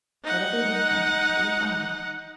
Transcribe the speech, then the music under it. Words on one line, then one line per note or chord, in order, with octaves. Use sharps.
Let every one come ... to look on.
D#4 F#5